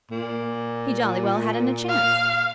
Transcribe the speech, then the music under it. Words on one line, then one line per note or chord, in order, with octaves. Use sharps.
He jolly well hadn't a chance.
A#2
F5